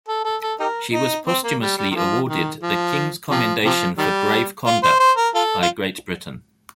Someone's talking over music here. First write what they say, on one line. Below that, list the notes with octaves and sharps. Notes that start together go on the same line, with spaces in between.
She was posthumously awarded the "King's Commendation for Brave Conduct" by Great Britain.
A4
A4
A4
D#4 G4 A#4
D#4
C4
A#3
G3
G3
D#3
F3
D#3
F3
C3 F3
C3 F3
D#3 G3
F4
C5
C5
A#4
F4 A4
F4